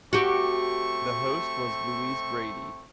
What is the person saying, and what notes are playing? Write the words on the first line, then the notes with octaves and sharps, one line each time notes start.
The host was Louise Brady.
A3 C4 F#4 G4 C#6